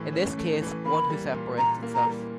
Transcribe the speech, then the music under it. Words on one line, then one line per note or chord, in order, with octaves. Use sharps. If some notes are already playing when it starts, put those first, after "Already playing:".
In this case, "one who separates itself".
Already playing: A2 E3 A3
C#4
A3
E3
A#3 B5
G3
A#2
A#2 A#5
A#3
A#5
G3